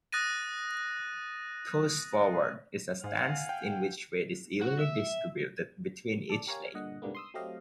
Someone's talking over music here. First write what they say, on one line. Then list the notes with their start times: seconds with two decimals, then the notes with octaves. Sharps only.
Toes Forward is a stance in which weight is evenly distributed between each leg.
0.12 D#6 F#6 A6 A#6 D#7
3.04 G#2 F5 F#5 G#5
3.49 G5
4.61 F#4
4.79 E5
6.30 A4 D5
6.47 G4 A#4 C#5 F5 G#5
6.74 G2 A#2 D3 D#5 F#5
7.02 C2 G#2 D3 G3 A#3 B3
7.15 C6 D#6 E6
7.34 F#3 A3 C4 G4 D#5 F5